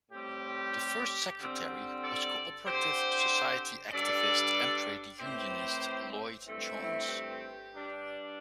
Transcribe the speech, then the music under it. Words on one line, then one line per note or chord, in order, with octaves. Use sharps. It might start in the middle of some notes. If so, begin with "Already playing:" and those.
The first secretary was Cooperative Society activist and trade unionist, Lloyd Jones.
A2 G3 C4 G4
D3 G3 C4
A4 D5
D3 C4 G4 C5
G2 G3 D4 A4 D5
A2 E3 C4 G4 C5
G2 E3 A3 C4
E4
G4
G2 G3 D4